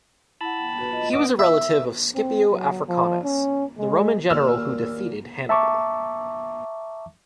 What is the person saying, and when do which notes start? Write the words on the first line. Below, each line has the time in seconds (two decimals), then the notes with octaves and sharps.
He was a relative of Scipio Africanus, the Roman general who defeated Hannibal.
0.41 E4 F#5 A5 B5
0.56 G5
0.79 F#4 B4
0.90 F4 D#5
1.13 B4 D#5 F#5 D6 D#6
1.39 E5
2.15 C4
2.52 F#3
2.89 F3
3.24 C#4
3.78 G#3
4.30 D#2 A#2 E6 F6
5.49 E5 A5 A#5 C#6 D6